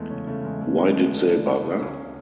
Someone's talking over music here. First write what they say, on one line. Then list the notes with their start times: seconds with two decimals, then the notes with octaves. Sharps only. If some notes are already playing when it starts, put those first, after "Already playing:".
Why did they bother?
Already playing: E2 E3 G#3 A3
0.10 C#3 C#4
0.27 C#3 A3
0.44 E2 G#3
0.61 E2 A3
0.78 D2 G#3
0.91 A3
0.95 D2
1.03 B3
1.11 D2 D4
1.29 C#3 D4
1.45 C#3 A3
1.62 C#3 B3
1.79 C#2 C#4